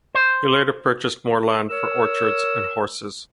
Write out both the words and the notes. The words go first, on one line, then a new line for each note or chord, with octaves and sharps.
He later purchased more land for orchards and horses.
C5
A#4 C#5 E6